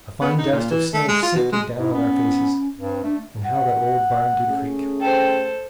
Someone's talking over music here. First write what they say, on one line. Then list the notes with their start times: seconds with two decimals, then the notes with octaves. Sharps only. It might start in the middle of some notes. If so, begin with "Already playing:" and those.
A fine dust of snow sifted down on our faces; and how that old barn did creak!
0.21 B3
0.38 D#4
0.52 A#2
0.70 E3
0.93 A3
1.08 G#3
1.22 F4
1.35 B2
1.52 G#3
1.78 G#2 E4
1.93 B3 C#4
2.78 G2 C4
3.04 A3 D4
3.45 F#5
4.48 A3 C#4 G#4
5.01 A4 C5 G5